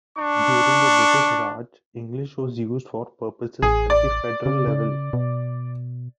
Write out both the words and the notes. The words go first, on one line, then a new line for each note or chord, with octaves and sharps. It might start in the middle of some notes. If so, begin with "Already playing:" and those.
During the British Raj, English was used for purposes at the federal level.
D4 C#6
A1 G#4
D5
C#3
C#3
B2